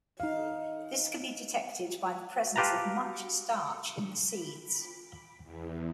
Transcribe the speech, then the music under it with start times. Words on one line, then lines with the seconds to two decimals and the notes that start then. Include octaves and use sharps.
This can be detected by the presence of much starch in the seeds.
0.20 D#4 F5
2.56 F4 G4 B4 A5 A#5
5.42 E2